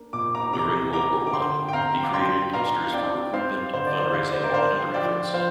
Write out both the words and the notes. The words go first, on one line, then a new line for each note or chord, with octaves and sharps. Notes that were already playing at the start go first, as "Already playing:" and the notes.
During World War One, he created posters for recruitment, fundraising, and other efforts.
Already playing: A#3 D4
A#2 D6
A#5 D6
C3 A#5 D6
A#3 A#5 D6
D6
D3 G5 C6
G5
C4 F5 A#5
D6
D4 G5 C6
D4 F5 A#5
C4 D5 G5
C4 C5 F5
D3 C5
D5
C5
D3 F5
D5
C5
A#4 D5
G5
D4 C5 F5
F3 D5 G5
F3 C5 F5